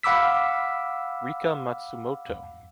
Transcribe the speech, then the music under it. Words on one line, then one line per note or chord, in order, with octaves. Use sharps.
Rika Matsumoto.
F5 F#5 B5 D6 E6 B6